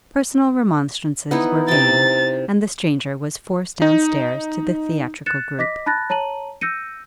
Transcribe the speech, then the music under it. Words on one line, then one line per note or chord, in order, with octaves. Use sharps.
Personal remonstrances were vain, and the stranger was forced down stairs to the theatrical group.
B3 D#4 E4
C3 G5 A6
D#4
F#6 A6 C#7 E7
D#5 D6 A#6 B6
A5 B5 F#6 A6 A#6
C#5 A5 A#5 D#7 F#7
E6 G6 A#6 C#7 D#7